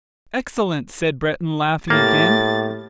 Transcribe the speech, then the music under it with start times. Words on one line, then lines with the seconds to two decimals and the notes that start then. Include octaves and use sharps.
"Excellent!" said Breton, laughing again.
1.90 A2 A#3 G4 A6